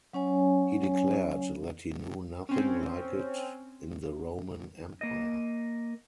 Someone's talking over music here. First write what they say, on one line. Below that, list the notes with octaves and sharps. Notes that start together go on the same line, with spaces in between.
He declared that he knew nothing like it in the Roman empire.
F#3 C#4 C#5 G#5
C4 C#4
A#3 D#5